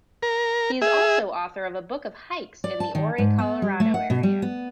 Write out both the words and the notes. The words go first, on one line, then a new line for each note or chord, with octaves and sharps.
He is also author of a book of hikes in the Ouray, Colorado area.
A#4
G#4 E5
D5
A5
D#3
G#2
B3
G3
A3
F#5
B2
G3
B3